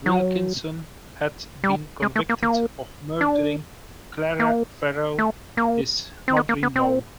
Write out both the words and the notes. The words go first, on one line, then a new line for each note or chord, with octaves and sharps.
Wilkinson had been convicted of murdering Clara Farrell, his mother-in-law.
F#3
G3
G#3
A3
A#3
A#3
D4
A#3
A3
A#3
C4
B3
A#3
B3
C4